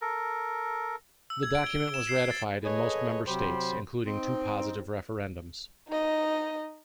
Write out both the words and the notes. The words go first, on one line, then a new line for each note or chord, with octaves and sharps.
The document was ratified in most member states, including two positive referendums.
A4 A#4
E6
G#6
D7
G7
E6
E7
C7
A6
G#4 A4 B4 C#5 D#5
C3 F#3 G4 C5 B5 C6
C4 D#4
D#4 D#5